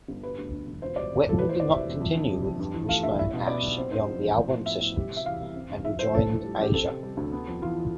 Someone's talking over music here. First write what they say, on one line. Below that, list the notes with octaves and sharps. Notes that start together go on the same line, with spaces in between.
Wetton did not continue with Wishbone Ash beyond the album sessions and rejoined Asia.
G1
G3 B4
D2
D3
E1
F4 C5
G3 D5
B3
A2 A4
E3 B4
C5
E2 D5
C3 E5
E1
F2
D3
G3
F2
G2
E3
A3 F5
G2 E5
E4 E5
B2
B3 D5
B1
C4 C5
G2 C5
F3
A1
A2
F3
B3 E5
A2
G3
C3
E5
E3 F5
C2
C4
D3
F3 E5
F2 C5
D4 A4
A2
G3
A1 G4
C4 A4
C3
G3
D2
B3
F2
E3 F4